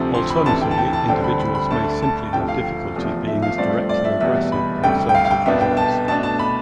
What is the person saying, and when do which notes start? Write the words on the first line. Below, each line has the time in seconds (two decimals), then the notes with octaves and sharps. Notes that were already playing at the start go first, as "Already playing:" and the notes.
Alternatively individuals may simply have difficulty being as directly aggressive or assertive as others.
Already playing: D2 C3 F3 C4
0.14 C6
0.30 B5
0.46 D2 C3 E3 A5
0.61 G5
0.71 A5
0.78 G5
0.93 A5
1.09 D2 D3 G3 C4 G5
1.24 B5
1.40 B5
1.55 B5
1.71 D2 D3 A3 D4 A5
2.02 A5
2.33 D2 C3 F3 G5
2.48 F5
2.96 E2 C3 F3 A3
3.27 E5
3.42 F5
3.58 G2 F3 A3 C4 D5
3.89 D5
4.05 E5
4.20 E2 B2 G3 E5
4.52 B5
4.83 D2 C3 G3 G5
5.09 G5
5.15 F5
5.25 F5
5.31 G5
5.46 C2 B2 B3 D4 E5
5.61 G5
5.77 A5
6.08 B2 A3 D4 A5
6.23 A5
6.39 B5